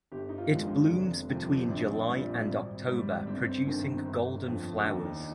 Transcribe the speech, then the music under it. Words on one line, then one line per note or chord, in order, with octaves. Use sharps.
It blooms between July and October producing golden flowers.
G1 G4
D#4
F4
F2 D#3 G#3
D4
F1
F2 C3 D#3 G3
C4
A#1 D4
A#2 G3
G#1
G#2 G3
G1 C4
G2 D#3
G1
F2 D3
D#2 D4
D#4